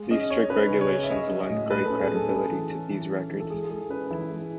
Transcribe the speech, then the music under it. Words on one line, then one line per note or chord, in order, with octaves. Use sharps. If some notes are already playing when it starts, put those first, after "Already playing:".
These strict regulations lend great credibility to these records.
Already playing: G#3
C#4 D#5
C#4 C#5
C#4 B4
C#3
C#5
C#4
E5
C#4 D#5
F#3
D#5
A2
A2 B4
C#4 A4
G#4
F#3
A4
C#4
E3
C#4
E3
C#4
E3
A4
G#3 G#4
G#3 A4
C#4 B4
E3 E4
G#3